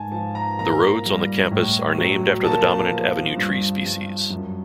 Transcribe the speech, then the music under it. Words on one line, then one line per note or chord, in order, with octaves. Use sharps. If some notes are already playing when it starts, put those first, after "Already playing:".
The roads on the campus are named after the dominant avenue tree species.
Already playing: G#2 G#5 A5
F3 A5
A#5
A#2 A#5
G3
A2
F#3
A#2 A5
F3
G2
G2
F#2